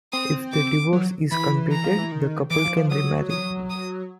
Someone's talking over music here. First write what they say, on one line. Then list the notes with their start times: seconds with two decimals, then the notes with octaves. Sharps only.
If the divorce is completed, the couple can remarry.
0.13 C4 D#6
0.53 D6
0.93 F#3
1.31 E3 B5
1.71 A#5
1.84 F3
1.98 E3
2.11 D#3
2.50 E3 D6
2.64 F3
2.77 F3
2.90 F#3 D#6
3.30 D#6
3.70 D#6